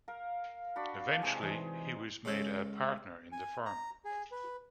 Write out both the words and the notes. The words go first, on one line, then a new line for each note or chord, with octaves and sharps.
Eventually, he was made a partner in the firm.
A#4 F5
D4 F#4 B5
C3 E3 G#3
E3 G#3 D#4
C#3 G#3 C#4 A4
G#5
A#5
G#4
B4